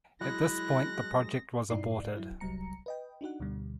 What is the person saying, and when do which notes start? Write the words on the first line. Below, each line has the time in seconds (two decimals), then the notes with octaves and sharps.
At this point the project was aborted.
0.21 F#3 G#3 E4 F#6 A#6
1.70 G2 B2 D#4 E4 D5 C7
2.17 F#3 E4
2.40 C2 F#3 G3 A#5 C#7
2.86 B4 D#5 G5
3.21 D4 D#4 F#4 F#5
3.40 D2 B2 D3 G3